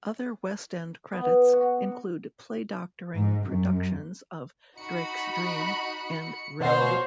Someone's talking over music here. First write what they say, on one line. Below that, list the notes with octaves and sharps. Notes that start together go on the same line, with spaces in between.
Other West End credits include playdoctoring productions of "Drake's Dream" and "Wren".
B3
F#4
G#2
F#2
D#4 F#4 B5 C#7
B2 F#4 C5 C#5 F5